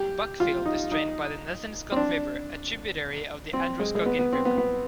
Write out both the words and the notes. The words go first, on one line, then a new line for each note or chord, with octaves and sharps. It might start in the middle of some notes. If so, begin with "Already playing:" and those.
Buckfield is drained by the Nezinscot River, a tributary of the Androscoggin River.
Already playing: G4
F4
D#4
D#4
C4
D4
C4
G#3
G#3
B3
B3
C4
B3
B3